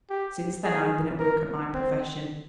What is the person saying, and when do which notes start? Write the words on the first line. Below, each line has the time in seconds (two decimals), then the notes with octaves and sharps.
Since then I've been at work at my profession.
0.10 G4
0.64 G#4
1.19 A#4
1.74 C4